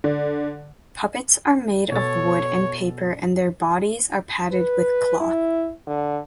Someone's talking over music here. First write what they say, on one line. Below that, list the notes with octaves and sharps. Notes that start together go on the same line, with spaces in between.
Puppets are made of wood and paper and their bodies are padded with cloth.
D3
B2 A4 C#5 A6
B4
E4
D3